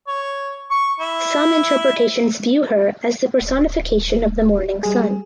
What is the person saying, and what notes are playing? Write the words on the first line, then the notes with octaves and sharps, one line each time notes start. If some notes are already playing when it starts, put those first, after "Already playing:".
Some interpretations view her as the personification of the morning sun.
C#5
C#6
E4
D1
G3 G#4